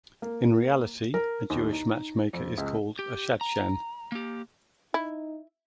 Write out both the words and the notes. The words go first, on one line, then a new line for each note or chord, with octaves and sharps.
In reality a Jewish matchmaker is called a "shadchan".
A#3
A#4
D#2
D#4
F2
C#2
G4
A#5
A#3 G4
D#4 E4